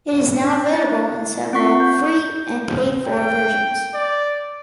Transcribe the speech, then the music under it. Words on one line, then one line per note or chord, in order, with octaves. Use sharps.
It is now available in several free and paid-for versions.
D4
E4
C4 F4 F#5 C#6 B6
G6
G5
D5